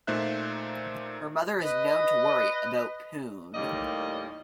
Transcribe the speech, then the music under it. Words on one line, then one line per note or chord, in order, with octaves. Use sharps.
Her mother is known to worry about Poon.
A#2 A3 D#4 C5 E5 F#6
B4 D#5
D#2 A2 G3 A#3 D5 D#5